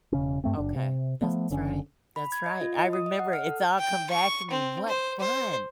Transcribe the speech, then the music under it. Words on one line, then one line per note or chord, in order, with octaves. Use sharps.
Okay. That's right, that's right. I remember it it's all come back to me, what fun.
E1 C#3 C#4
G2 A3 C4
F#1 D4
C3
F3 A3 B3
F#1 D3 C#4
B5
G#6
D#5
F4
D#5
D#6
D#5
F#5
F6
A4
G5
C#6
C4
C5
C5